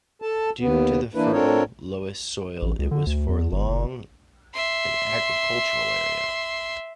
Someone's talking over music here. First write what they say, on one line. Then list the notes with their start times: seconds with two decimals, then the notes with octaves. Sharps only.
Due to the fertile loess soil it was for long an agricultural area.
0.22 A4 A5
0.60 D#2 B3
1.15 E3 A#3 D4 E4 B4
1.32 C4 D4 F4 A4 A#4 C#5
2.62 A1
2.79 C#2
2.91 D3
3.06 D2
3.29 E2
3.52 G1
3.69 F#1
4.54 E5 C6